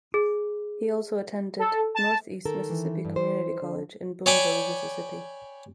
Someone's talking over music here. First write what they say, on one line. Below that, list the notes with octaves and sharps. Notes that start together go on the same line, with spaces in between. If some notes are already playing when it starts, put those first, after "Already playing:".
He also attended Northeast Mississippi Community College in Booneville, Mississippi.
G#4
A4
A5
D#3 A4 A#4
E3
G2
C5
D3
C#5 D5 G5 G#5 B5 D6